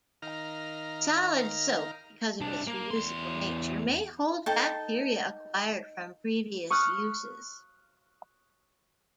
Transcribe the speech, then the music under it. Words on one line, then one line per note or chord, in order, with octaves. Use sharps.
Solid soap, because of its reusable nature, may hold bacteria acquired from previous uses.
D#3 D#4 A#4 F5 A#5 F6
C2 D4
A#3
E2 C6
D#4 A4 G5 A5
C#6 D#6 F6 F#6